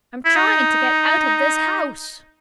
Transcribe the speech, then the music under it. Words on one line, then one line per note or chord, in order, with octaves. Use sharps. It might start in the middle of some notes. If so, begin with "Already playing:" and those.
"I'm trying to get out of this house!"
E4
D#4